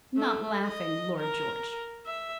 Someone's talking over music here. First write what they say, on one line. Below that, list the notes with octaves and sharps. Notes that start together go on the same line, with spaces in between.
"Not laughing, Lord George."
A3
D#5
A#4
E5